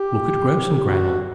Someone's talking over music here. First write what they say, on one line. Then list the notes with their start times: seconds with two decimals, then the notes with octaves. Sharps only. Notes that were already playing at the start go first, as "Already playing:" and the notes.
Look at Grossengrannel.
Already playing: G4
0.86 F#4